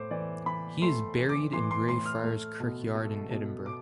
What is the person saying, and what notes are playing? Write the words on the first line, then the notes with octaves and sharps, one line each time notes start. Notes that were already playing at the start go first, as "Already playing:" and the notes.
He is buried in Greyfriars Kirkyard in Edinburgh.
Already playing: A2 A3 C5 D6
E3 D5
E3 B5
A3 C6
E3
D6
E3 C6
C6
A2 C6
F6
A3
B2
A3
B2
D6